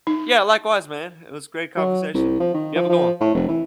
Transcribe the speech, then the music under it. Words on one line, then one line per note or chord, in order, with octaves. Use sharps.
Yeah, likewise, man. It was a great conversation. You have a good one.
D#4
F#3
C2
F3
D#3
F3
F3
A2
F1
E3